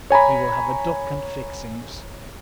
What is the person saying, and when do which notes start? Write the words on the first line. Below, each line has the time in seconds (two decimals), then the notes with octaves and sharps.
We will have a duck and fixings.
0.10 C#5 G#5 A#5 B5